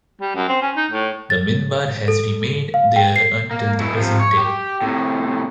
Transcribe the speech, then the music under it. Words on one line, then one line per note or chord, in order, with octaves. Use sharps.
The minbar has remained there until the present day.
G3
F#2
C4
C#4
D#4
A2
A6
A4
F5
G5
C7
A#3
B2 E4
C3 F3
C#5
G4
A2 C3